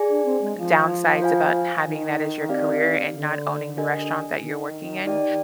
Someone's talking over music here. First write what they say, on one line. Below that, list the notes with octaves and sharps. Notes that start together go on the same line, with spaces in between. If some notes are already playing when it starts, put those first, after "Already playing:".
downsides about having that as your career, and not owning the restaurant that you're working in,
Already playing: G#4 D5 G#5
D4
C4
G#3
F3
F4 C5 F5 G#5
D#3
C4 D#4 G4 D5 F5
D3
D4 G4 A#4 D#5 G#5
D#3
D#4 G4 D5 G5